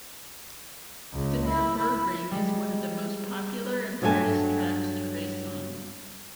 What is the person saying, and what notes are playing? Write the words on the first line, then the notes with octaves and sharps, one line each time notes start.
The Nurburgring is one of the most popular and hardest tracks to race on.
C#2
E4
G3 G#3
G2 F#3 A3 A#4 G#5 A5